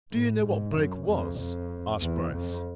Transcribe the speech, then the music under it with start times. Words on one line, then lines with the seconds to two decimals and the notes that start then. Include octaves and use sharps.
"Do you know what Brake was?" asked Bryce.
0.12 A2
0.44 G#2
0.75 F#2
1.07 F2
1.39 F2
2.02 E2
2.33 F2